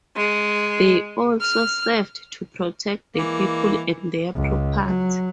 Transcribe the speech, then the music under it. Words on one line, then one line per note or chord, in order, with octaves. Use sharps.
They also served to protect the people and their property.
G#3
F6
E3 G#3 A#3
C#2
F#3